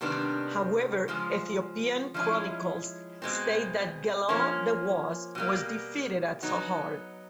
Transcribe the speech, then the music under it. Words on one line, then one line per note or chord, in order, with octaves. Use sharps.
However, Ethiopian chronicles state that Gelawdewos was defeated at Sahart.
C3 D#3 G3 B3 D4
C#3 F3 G#3
F3 G#3 C#4 E4
B2 G#3 C4
F3 A#3 C#4
B2 G3 A#3
F#3 B3 D#4